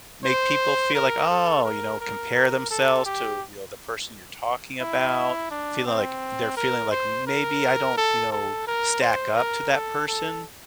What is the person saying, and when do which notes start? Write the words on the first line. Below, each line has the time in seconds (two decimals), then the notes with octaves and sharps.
make people feel like, "Oh" you know, compare themselves to, you know, the person you're talking about, feeling like they're feeling like maybe I don't, you know, stack up to that person,
0.24 C5
0.95 A#4
1.30 A4
1.65 A#4
2.00 A#4
2.35 A#4
2.71 A4
3.06 G4
4.81 E4
5.51 D4
5.86 C4
6.57 A#4
6.92 C5
7.27 A#4
7.97 A4
8.32 A4
8.67 A#4
9.02 C5
9.37 A#4
9.73 A4
10.08 A4